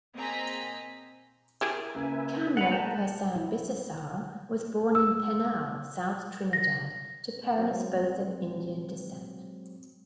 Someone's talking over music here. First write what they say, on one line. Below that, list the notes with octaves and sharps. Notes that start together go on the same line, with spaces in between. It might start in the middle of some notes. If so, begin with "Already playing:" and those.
Kamla Persad-Bissessar was born in Penal, South Trinidad to parents both of Indian descent.
A#3 C4 G#4 D#5 A#5 B6
E4 G4 G#4 A#4
C#3 A#3 B4 E5 G#5
B4 C#5 F#5 C#7 F7 F#7
G#3 A#3 B4 A5 A#5 G6
E4
E6
A#6
F#3 G#3 C4